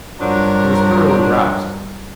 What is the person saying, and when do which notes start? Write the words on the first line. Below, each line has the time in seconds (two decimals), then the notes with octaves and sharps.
He was thoroughly roused.
0.20 G2 F3 F#3 D4 A#4